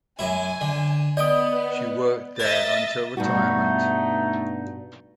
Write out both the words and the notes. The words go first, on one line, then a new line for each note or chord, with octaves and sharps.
She worked there until retirement.
F#2 E4 G#5
D3
B3 D5 D#5 G5 D#6
A#4 D#5 E5 A6
G2 B2 A3 D#4 F#4